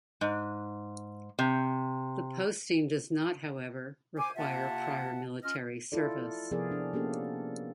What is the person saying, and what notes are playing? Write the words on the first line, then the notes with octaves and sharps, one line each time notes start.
The posting does not however require prior military service.
G#2
C3
C5 G#5 D6
C3 A#3 F4 E5 F#5 A5
C#4 F4 D#5 F6
E4 F4 A4 D5
C3 F3 B3 G#4 A#4 D5
D4
A#3 B3 C#4 D4 G4 A4